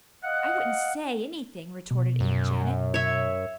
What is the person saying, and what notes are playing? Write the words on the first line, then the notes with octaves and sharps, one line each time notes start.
"I wouldn't SAY anything," retorted Aunt Janet.
D#5 F5 F#5
B2
F#2
C#5 E5